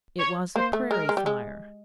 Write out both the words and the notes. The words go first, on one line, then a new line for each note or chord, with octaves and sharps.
It was a prairie fire.
C#5
A#3 C5
A3
G#3 A#4
G#3
G3
G#3